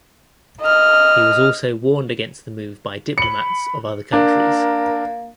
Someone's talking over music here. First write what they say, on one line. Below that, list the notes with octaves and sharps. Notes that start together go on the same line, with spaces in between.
He was also warned against the move by diplomats of other countries.
D#5 F6
B5 C#7 F#7
A#3 D4 A#4